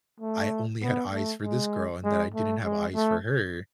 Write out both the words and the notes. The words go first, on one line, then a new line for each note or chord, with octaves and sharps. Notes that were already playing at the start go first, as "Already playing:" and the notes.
I only had eyes for this girl and that I didn't have eyes for her
A3
B3
A3
G#3
G#3
A3
G#3
A3